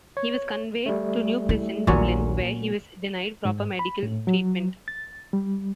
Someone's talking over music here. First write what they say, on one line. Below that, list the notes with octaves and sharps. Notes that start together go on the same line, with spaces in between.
He was conveyed to New Prison, Dublin where he was denied proper medical treatment.
C#5
G3 A3
E4
A#1 D#2 A#2 F#3 C#4
G#2
B5
A2
F#3
A6
G3